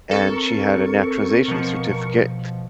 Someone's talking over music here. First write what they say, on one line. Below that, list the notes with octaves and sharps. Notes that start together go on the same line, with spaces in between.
and she had a naturalization certificate,
C4 A4 A#4 C#6
B2 F3